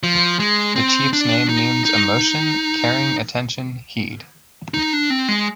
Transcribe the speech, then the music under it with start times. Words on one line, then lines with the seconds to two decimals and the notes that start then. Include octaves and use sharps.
The chief's name means "emotion, caring, attention, heed".
0.03 F3
0.40 G#3
0.76 C4
1.13 D4
1.49 D#4
1.85 D#4
4.74 D#4
4.93 D4
5.10 C4
5.28 G#3